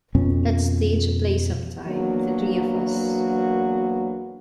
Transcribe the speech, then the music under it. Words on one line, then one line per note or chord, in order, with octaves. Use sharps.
Let's stage a play sometime, the three of us.
F2 B2 C#4
E2 F#3 A#3 B3 D4 F#4